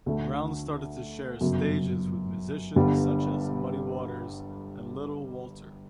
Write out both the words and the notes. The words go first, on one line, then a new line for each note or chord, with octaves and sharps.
Brown started to share stages with musicians such as Muddy Waters and Little Walter.
D2 D3 A3
G1 F#2 C#3
G1 G2 D3 G3